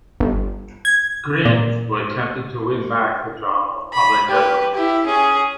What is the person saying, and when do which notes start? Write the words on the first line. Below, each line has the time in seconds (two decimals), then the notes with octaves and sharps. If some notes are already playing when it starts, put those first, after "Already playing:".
Green, who attempted to win back the job of Public Advocate.
0.20 G1
0.85 G#6
1.45 A#2
3.93 B5
4.28 G4 B4
4.75 E4 G4
5.06 C#4 G#4